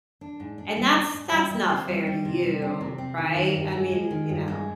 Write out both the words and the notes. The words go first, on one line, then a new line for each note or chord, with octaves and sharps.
and that's that's not fair to you, right? I mean, you know,
D4
G#2
D4
G3
D4
G#2
G3
G3
C4
G3
G4
C3
G3
C4
C3
C4
D#3
D#3
G2
G#3
G#3
D#3
G2
G#3